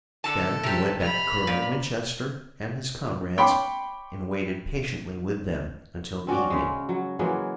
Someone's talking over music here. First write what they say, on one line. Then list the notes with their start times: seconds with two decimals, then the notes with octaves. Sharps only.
Then he went back to Colonel Winchester and his comrades, and waited patiently with them until evening.
0.24 D3 A4 A5
0.63 C3 G4
1.00 B5 F6
1.47 A#2
3.37 C#5 G5 B5 C6 D6
6.27 C4 C#4 F#4 D5
6.50 C#3 G#3
6.89 F#3
7.19 E3 F#3 G#3 A#3